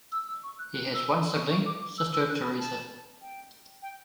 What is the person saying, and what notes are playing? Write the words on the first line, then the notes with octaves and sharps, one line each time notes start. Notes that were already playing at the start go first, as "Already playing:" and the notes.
He has one sibling, sister Teresa.
E6
E6
C#6
F#6
F#6
E6
C#6
C#6
D6
D6
E6
E6
F#6
B5
A5
G5
G5